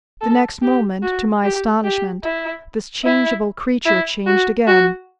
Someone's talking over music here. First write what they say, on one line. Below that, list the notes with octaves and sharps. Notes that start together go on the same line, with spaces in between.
The next moment, to my astonishment, this changeable creature changed again.
A4
G4
F#4
G4
G4
E4
E4
E4
F#4
F#4